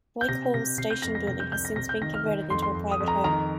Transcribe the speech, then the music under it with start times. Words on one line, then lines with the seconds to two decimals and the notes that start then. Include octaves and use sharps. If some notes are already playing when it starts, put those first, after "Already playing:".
Blake Hall's station building has since been converted into a private home.
0.21 G6
0.29 C3 A#6
0.54 C3 A#6
0.78 C3 C7
0.90 G6
1.02 F2 A#6
1.15 A#6
1.27 C3 A#6
1.40 G6
1.52 C2 G6
1.65 A#6
1.76 C3 A#6
1.89 G6
2.01 D#3 A#6
2.14 F6
2.25 D#3
2.50 F2 C6
2.62 C6
2.74 F2
2.91 D#6
3.00 F2
3.08 A#5
3.24 D#3 A#5